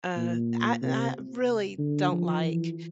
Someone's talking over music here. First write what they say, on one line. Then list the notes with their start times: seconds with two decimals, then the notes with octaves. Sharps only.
uh, I n I really don't like
0.16 A#2
0.82 C3
1.79 D3
2.12 F3
2.44 E3